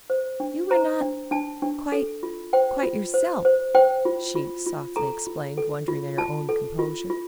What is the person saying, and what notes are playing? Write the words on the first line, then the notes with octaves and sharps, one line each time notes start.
"You were not--quite--quite yourself," she softly explained, wondering at her own composure.
C5
D4
C5 A#5
D4
D4 A5
D4
A4
F4
C5 G5
F4
C5
C5
C5 G5
F4
F4
F4
A4 A#5
F4
A4
F4
F4 A5
A4
F4
F4